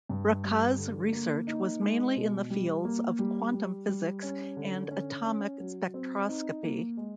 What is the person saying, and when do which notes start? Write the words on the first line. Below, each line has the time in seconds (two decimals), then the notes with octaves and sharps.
Racah's research was mainly in the fields of quantum physics and atomic spectroscopy.
0.09 G2
0.44 G3
0.78 D3
1.13 A#3
1.47 D#4
1.81 G#3
2.16 B2
2.50 G3
2.85 A#3
3.19 G3
3.54 G3
3.88 G3
4.23 C#4
4.56 D3
4.91 C#4
5.25 C#4
5.60 F#3
5.94 C4
6.29 D#4
6.63 A#3
6.97 G#3